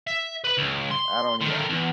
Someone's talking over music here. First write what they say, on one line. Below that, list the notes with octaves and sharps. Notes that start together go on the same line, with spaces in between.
I don't need a
E5
B4 B5
C#2
C6
D3 D#3
E2